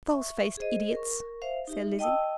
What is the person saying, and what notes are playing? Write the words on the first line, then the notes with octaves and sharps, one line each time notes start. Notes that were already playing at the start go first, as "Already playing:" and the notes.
"False-faced idiots!" said Lizzie.
E5 C#6
G#4 C5 D#5
A#4 C#6
C5 E5 F5
D#4 G4 E5
D#5 G5 A5 D#6 E6